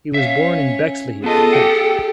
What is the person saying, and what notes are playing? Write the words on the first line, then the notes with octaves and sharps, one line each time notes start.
He was born in Bexleyheath, Kent.
C#4 C#5 E5 F5
B3 F4 G#4 A4 D#5 A5
G4 F#5 G5